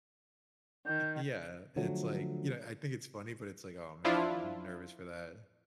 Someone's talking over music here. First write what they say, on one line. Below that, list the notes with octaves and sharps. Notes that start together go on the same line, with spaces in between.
Yeah, and it's, like, you know, I think it's funny, but it's, like, "Oh, man. I'm I'm nervous for that."
D#3 G6
D3 F3 F#3 A3
F3 D4 E4 F4